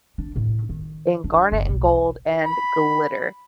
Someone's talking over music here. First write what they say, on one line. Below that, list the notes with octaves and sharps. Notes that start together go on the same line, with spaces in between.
in garnet and gold and glitter.
D4
A2
D#3
D4
F#1
B1
B5